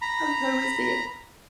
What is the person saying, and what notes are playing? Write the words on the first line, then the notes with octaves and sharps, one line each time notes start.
I'm totally seeing it.
A#5 B5